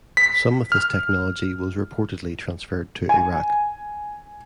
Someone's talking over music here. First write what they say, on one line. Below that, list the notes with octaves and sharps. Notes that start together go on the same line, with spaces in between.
Some of this technology was reportedly transferred to Iraq.
B6
F6
G#5